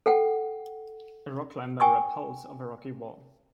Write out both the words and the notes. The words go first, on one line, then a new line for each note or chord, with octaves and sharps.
A rock climber repels off a rocky wall.
A4 F#5 G5
G5 G#5 C#6 D#6